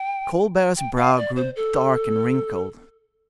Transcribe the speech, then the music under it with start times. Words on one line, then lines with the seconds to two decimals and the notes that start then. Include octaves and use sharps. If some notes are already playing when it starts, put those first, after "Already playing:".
Colbert's brow grew dark and wrinkled.
Already playing: G5
0.77 G5
0.97 F5
1.17 D5
1.36 C5
1.56 A4